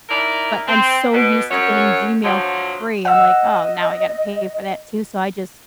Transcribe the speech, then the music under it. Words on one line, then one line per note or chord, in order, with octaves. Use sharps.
But I'm so used to getting Gmail for free, I'm like, "Oh, now I gotta pay for that too," so I just
D#4 E4 A#4 D5
C4
B2
F#2 C#5
D3 F3 F#3
D#5 F#5 E6